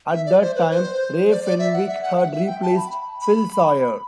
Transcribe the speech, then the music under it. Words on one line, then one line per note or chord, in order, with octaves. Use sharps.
At that time Ray Fenwick had replaced Phil Sawyer.
E5
D5
C5
B4
C5
D5
D5
E5
F#5
E5
F#5
F#5
E5
G5
A5
B5
B5